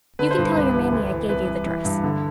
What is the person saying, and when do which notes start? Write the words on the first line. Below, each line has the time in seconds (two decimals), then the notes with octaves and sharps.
You can tell your mammy I gave you the dress.
0.19 D3 B4
0.31 C5
0.38 G2
0.43 B4
0.56 C2 B4
0.75 E3
0.92 D2
1.11 E3
1.29 C2 B4
1.48 E3
1.66 E3
1.85 G2
2.04 D3